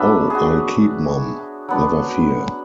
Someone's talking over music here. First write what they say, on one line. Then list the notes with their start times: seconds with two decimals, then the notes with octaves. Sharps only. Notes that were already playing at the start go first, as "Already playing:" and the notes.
Oh, I'll keep mum, never fear.
Already playing: F#3 B3 D4 E5
0.30 F#4 G#4
1.69 F#3 B3 D4